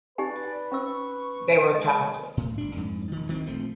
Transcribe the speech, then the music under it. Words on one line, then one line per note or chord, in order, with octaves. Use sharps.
They were talented.
D#4 G4 B4 D5 G#5
C#4 C5 C#6 E6
G#3 D#5
A2
G1 D4
F2 G#2
E1 D#3
D2 D#3 C4
A#1 F3 A3 C4